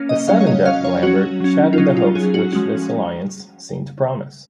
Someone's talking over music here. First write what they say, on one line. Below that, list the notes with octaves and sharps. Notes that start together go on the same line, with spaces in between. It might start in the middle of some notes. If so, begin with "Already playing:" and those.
The sudden death of Lambert shattered the hopes which this alliance seemed to promise.
Already playing: A#3 C#4
D#5
F#3 C#4 F5
C#5
D#5
F#3 C#4 F5
C#5
F#3 C#4 F#4
F#3 C#4
F4
F#3 C#4 D#4
F4
F#3 C#4 G#4
F#4
F3 G#3 C#4 F#4